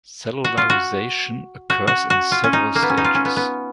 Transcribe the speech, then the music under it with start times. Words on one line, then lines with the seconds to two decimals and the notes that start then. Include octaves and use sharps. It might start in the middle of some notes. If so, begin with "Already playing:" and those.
Cellularization occurs in several stages.
0.44 F#4
0.57 F4
0.70 F#4
1.70 F#4
1.87 F#4
2.10 F#4
2.32 F4
2.44 C#4
2.53 D#4
2.75 A#3
2.83 B3
2.90 C#4
2.97 D#4
3.04 F4
3.15 C#4
3.25 B3
3.36 B3